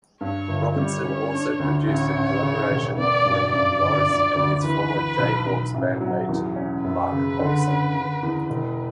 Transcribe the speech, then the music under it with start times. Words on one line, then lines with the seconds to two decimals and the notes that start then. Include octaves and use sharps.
Robinson also produced a collaboration between Louris and his former Jayhawks bandmate Mark Olson.
0.21 G2 C#5
0.48 G1
0.76 G3 C#5
1.04 C#4
1.32 D4
1.59 D2
1.87 A1 C#5
2.14 A1
2.43 C#3
2.70 E1
2.97 B3 D5
3.25 G2
3.52 F#2 D5
3.81 G1
4.08 D2
4.35 D2
4.63 E3 B4
4.91 E3
5.18 B1
5.46 B1
5.74 A1
6.01 F#3
6.29 E2
6.56 C#4
6.84 F#2 B4
7.12 C#3
7.40 D3
7.67 C#4
7.95 D3
8.23 E2
8.50 E1